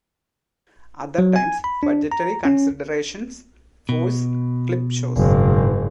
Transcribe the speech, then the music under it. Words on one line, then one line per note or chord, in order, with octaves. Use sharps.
Other times budgetary considerations force clip shows.
F#3
G#5
B5
D4
A#5
C#4
B2
F#1 G#2